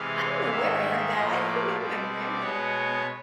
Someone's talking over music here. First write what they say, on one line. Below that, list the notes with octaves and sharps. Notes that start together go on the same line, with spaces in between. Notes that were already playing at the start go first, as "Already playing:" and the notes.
I don't know where I heard that, I think maybe my grandmother is somewhere
Already playing: C3 E3 G#3 F5
G#2 D#3 G#3 E5
A2 F3 A#3 D#5
D5
B2 G3 C4 D5
B2 G#3 B3 C#5